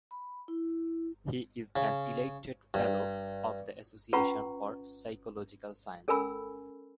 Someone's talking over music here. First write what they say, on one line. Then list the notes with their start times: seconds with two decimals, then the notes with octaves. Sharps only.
He is an elected fellow of the Association for Psychological Science.
0.11 B5
0.48 E4
1.76 C#3
2.74 G2
4.13 C#4 F4 B4 F#5 A#5 C#6
6.08 C#4 A4 A#4 G#5 B5 E6